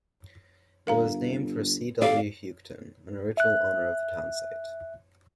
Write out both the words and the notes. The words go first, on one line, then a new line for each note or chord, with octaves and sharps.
It was named for C. W. Houghton, an original owner of the town site.
G1 A#4 F5 A#5
G#1 G4 A4 D5 F5
E5 F#6